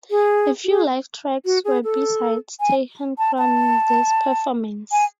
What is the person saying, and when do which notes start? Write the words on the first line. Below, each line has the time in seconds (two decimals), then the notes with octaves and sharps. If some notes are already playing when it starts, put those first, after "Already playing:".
A few live tracks were b sides taken from this performance.
0.11 G#4
0.64 F#4
0.69 G#4
1.45 F#4
1.65 G#4
1.84 A4
2.61 G#5
3.18 A5
3.38 A5
4.92 G#5